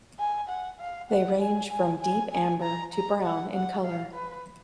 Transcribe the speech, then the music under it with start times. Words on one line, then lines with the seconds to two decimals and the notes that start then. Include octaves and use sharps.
They range from deep amber to brown in colour.
0.19 G#5
0.49 F#5
0.80 F5
1.10 F#5
1.40 G#5
1.71 G#5
2.01 G#5
2.32 G#5
2.62 A#5
2.93 A#5
3.23 F#5
3.53 F#5
3.84 F5
4.14 B4